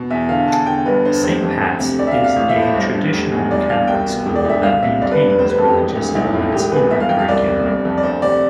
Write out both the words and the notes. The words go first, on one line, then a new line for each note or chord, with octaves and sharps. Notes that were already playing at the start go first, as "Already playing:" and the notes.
"Saint Pat's" is a traditional Catholic school that maintains religious elements in the curriculum.
Already playing: B2
E2 E5
D3 F5
E2 A5
D3 G5
G1 B4
G2 C5
F1 C5
F2
D2
C3
D2 D5
E5
F5
C3
F5
A1 F5
E5
A2
C5
G1
G2
F1
E2
G1 D5
G2 F5
C2 G5
B2
E1
D5
D2 E5
C2 F5
C3 E5
G1 D5
B4
G2
B4
F1 C5
B4
F2 A4
G4
E1
D2
B1 E4
E4
A2 F4
E1 G4
E2 B4
G1 E5
F5
F2 G5
F5
C2 D5
C3
G1
F2
D5
D2 C5
C3 D5